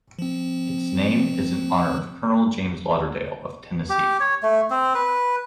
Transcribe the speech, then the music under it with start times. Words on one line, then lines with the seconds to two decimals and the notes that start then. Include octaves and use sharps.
Its name is in honor of Colonel James Lauderdale, of Tennessee.
0.19 F3 C4
3.89 G4
4.20 C#5
4.43 A3
4.70 C4
4.95 B4